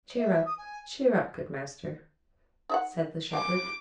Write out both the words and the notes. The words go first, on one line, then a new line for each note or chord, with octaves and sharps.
"Cheer up, cheer up, good master," said the shepherd.
E5
D#6
G#5
D#4 E5 F#5
F5 G5 G#5 D6